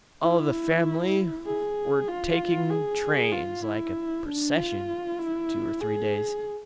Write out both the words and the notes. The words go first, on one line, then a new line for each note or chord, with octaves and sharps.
All the family were taking trains, like a procession, for two or three days.
E4
G#4
F4
G#4
F4
E4
D4
F4
E4
G#4